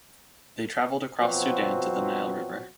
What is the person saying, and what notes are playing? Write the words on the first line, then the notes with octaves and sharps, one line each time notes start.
They travelled across Sudan to the Nile River.
B2 F3 F#3 C4 F#4